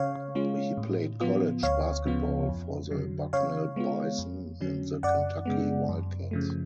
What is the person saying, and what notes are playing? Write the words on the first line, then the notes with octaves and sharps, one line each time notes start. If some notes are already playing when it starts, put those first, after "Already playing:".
He played college basketball for the Bucknell Bison and the Kentucky Wildcats.
Already playing: C#3 C#5 F5
G#3 C#4 F4
A2
F3 B3 F4
D2 C#5 F5
C#3 F3 B3 F4
F2
D3 F#3
C#3 C#5 F5
G#3 B3 F4
F2
D3 F#3 C#4
F#2 D5 F#5
C#3 G#3 B3
F#2
C#3 F3 A3